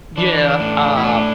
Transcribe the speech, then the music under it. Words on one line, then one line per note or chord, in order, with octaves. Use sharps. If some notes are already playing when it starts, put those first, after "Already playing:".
Yeah, uh,
E3 D4
A2
E4
A3 D4